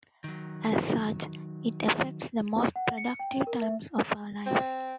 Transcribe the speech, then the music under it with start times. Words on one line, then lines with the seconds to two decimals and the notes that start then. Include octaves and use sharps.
As such, it affects the most productive times of our lives.
0.24 D#3 F#3
2.76 F#5
2.98 C#7
3.19 G5
3.47 A#4
3.62 E5
4.46 C4